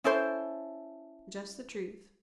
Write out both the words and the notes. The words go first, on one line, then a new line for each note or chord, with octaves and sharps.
"Just the truth."
C#4 E4 A4 C5